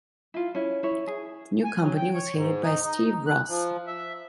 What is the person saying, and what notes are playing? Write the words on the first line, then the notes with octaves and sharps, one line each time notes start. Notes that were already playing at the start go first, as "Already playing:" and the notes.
The new company was headed by Steve Ross.
E4 F4
C#4 E4
E4 C#5
G#4
G#5
F#3
G5
C#5
G#2
D#4
D#4
F#6
F3
E5